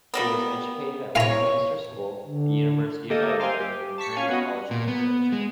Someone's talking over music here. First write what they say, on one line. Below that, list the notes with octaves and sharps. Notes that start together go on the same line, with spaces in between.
He was educated at Westminster School, the University of Edinburgh, and Trinity College, Cambridge.
G3 A#3 B3
E4 C#5 F5 G#5 A#5
D3
A#3 G4 A4 D#5
C5 F5 G5 G#5 C6
G4
A5 C#6 B6 C#7
C#4 C#5 F5 G#5
B3 F#4 D#5
A#2
B3
G#3